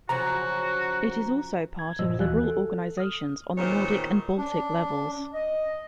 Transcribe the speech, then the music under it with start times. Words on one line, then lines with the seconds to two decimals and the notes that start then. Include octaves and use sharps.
It is also part of Liberal organisations on the Nordic and Baltic levels.
0.09 C#3 F3 F#3 F#4 A#5
1.79 G#6
1.99 G2 A#2 F3 C5 D#5 E6
2.17 D#2 E3 F#4 F5 G#5 F#6
2.44 A4
2.97 D#6 F6
3.58 E2 A#2 D#3 C5 C#5
4.38 C#4 D4
5.34 D#5